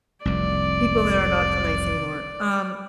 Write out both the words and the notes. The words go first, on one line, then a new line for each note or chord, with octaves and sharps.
people there are not so nice anymore. Um,
F1 C2 D5